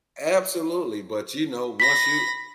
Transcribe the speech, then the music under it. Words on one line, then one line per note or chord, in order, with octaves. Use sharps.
Absolutely, but, you know, once you
B5 A#6 B6